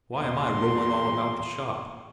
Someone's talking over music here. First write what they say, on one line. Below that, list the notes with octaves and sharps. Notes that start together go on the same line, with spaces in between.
Why am I rolling all about the shop?
E2 A#2 C6